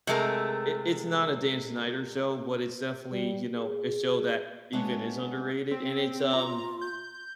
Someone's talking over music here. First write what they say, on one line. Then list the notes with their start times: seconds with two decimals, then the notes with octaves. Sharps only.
i it's not a Dan Snyder show, but it's definitely, you know, a show that even is underrated, and it's um
0.07 C3 G#3 A3 A#4
3.12 G3
3.54 G#4
4.73 G#3 A3 B3 C#4 D4 F#4
5.71 C4
6.33 F4 A#5
6.81 G6